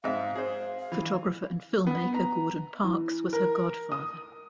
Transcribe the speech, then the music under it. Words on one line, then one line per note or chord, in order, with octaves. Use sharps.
Photographer and film-maker Gordon Parks was her godfather.
G#2 E5 F5
G#4 C5
F5
E3
B3
A#5
E3
A#4
D#6